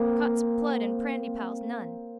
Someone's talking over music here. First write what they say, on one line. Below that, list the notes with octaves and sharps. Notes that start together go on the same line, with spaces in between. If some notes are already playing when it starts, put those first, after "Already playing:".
Cot's plood and prandypalls, none!
Already playing: A#3 C4